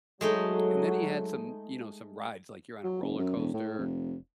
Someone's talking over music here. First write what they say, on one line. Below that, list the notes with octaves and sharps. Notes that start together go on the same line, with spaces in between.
and then he had some, you know, some rides, like you're on a roller coaster,
F#3 G#3 A3 D#4
F#3
F#1
F#2
E1
A2
F1